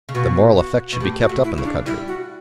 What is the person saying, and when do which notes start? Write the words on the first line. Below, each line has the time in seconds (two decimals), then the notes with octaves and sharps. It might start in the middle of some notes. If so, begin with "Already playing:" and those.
The moral effect should be kept up in the country.
0.09 C#3
0.14 B2 F#4
0.57 F#4
0.93 B2
1.00 A2 G4
1.22 F#4
1.29 A2
1.44 E4
1.58 C#3
1.64 D4
1.86 G3 E4
2.08 F#4